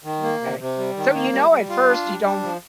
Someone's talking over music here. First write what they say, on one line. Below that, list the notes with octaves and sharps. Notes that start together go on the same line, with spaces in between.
M'kay. So, you know, at first, you don't
D#3
A#3
C3
C3
G3
D#3
A#3
G3
G3
F4
D4
G3
D4
F3